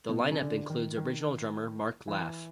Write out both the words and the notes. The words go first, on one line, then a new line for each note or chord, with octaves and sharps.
The line-up includes original drummer Mark Laff.
B2
C3
C#3
D3
D#3
D#3
E3